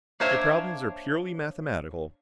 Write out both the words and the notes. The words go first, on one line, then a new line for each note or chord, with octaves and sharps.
Your problems are purely mathematical.
A#3 D4 C5 C#5 E5